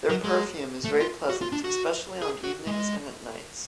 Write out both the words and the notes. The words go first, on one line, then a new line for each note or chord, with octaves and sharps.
Their perfume is very pleasant, especially on evenings and at nights.
F#3
G#3
A3
F4
F#4
F4
D4
F#4
G#4
F#4
G#3